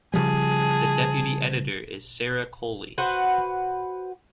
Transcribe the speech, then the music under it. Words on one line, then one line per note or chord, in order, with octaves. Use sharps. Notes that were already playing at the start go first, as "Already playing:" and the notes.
The Deputy Editor is Sarah Coley.
C#3 F3 G3 G#4 A5
F#4 B4 C5 F#5